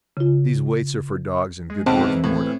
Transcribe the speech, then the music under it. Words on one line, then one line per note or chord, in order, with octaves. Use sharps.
These weights are for dogs in good working order.
C#3 F4
G#3
B1 G#2 C4 G5 A5
E3
A2